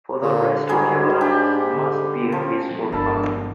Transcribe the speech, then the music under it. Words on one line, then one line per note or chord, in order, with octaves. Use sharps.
For the rest of your life you must be a peaceful farmer.
A#2 D3
G#2 F#3 G3 G#4
D4 G4
D3
F3 C#4
F2 B2
G1 D#3 D4 A4 A#4 A5 B5